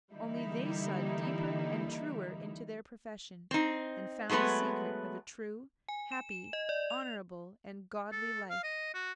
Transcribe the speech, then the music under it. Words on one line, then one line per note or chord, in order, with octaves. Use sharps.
Only they saw deeper and truer into their profession, and found the secret of a true, happy, honourable and godly life.
D3 E3 G3 A#3 D#4 E4
C4 D#4
F#3 G#3 A3 B3 B4
G#5
E7
E7
D#5
D5
F7
A4
F5
D#5
F#4